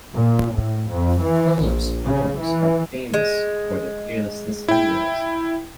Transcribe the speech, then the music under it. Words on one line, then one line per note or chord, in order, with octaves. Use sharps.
Choinom's poems are famous for their fearlessness and realism.
A#2
A2
F2
E3
A#1
C#3
E3
G#3
E4 G5